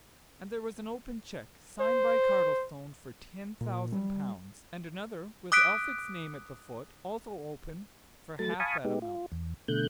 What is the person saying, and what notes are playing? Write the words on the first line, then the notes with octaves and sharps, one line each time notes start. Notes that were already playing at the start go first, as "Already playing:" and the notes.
And there was an open cheque, signed by Cardlestone for ten thousand pounds, and another, with Elphick's name at the foot, also open, for half that amount.
C5
A#2
G3
D6 D#6 F#6 B6 D7
F#3 A3 A6
F5 G#5 A5 B5 C#6 D#6
G#3 B3 D#4 G4
F4
E2
B2 D3 A3 F#6 G6